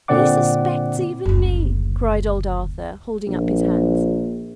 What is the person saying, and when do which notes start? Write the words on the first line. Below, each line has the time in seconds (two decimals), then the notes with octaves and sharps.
'He suspects even me!' cried old Arthur, holding up his hands.
0.08 A#2 D3 C4 D5 F#5 D6
1.25 F#1 D2
3.27 A#1